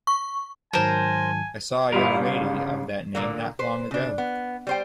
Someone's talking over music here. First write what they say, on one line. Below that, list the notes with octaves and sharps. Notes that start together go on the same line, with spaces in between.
I saw a young lady of that name not long ago.
C#6
G#2 D#3 F#3 A#4 C5 G#5 A5
G1 G3 E4 F4 A#4
C#3
A#2 D3 A#3
B4 C5
C#3 D4
B3
G3 C5 G5